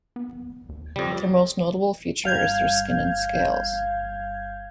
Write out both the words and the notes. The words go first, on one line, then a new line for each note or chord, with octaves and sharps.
Their most notable feature is their skin and scales.
B3
D#2
F2 C#3 G3
G1 F5 G6 G#6